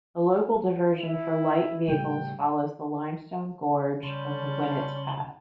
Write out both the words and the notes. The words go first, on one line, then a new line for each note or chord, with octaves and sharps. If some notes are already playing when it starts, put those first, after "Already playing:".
A local diversion for light vehicles follows the limestone gorge of Winnats Pass.
E4
A2 C#3 G3 G5
C#3 G3 C#4 A5 B5 C6